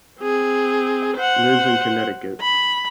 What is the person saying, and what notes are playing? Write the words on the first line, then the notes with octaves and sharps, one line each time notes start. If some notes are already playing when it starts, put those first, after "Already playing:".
Lives in Connecticut.
C4 G#4
C5 F#5
B5